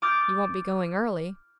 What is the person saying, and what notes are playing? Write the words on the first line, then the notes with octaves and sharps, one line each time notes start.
"You won't be going early."
D6 D#6 F6 G6 A6